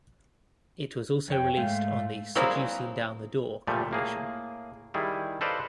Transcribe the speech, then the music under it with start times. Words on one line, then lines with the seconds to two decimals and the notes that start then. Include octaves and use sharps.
It was also released on the "Seducing Down The Door" compilation.
1.28 F2 C#5 G5
1.57 G#2 G#3 A3 F5
2.35 F#3 G3 A#3 C4 E4 G#4
3.67 A#2 F3 G3 A3
3.91 A2 A#3 G#4
4.94 D#3 G3 E4 G#4
5.41 A4 B4 C5 D5 D#5 F5